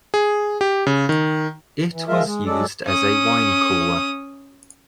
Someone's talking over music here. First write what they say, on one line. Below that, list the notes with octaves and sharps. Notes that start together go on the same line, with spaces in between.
It was used as a wine cooler.
G#4
G4
C#3
D#3
E3
F3 G#3 F4 A#4 E5
G#3
F#3 G#3 A4 D5
C#4 D#6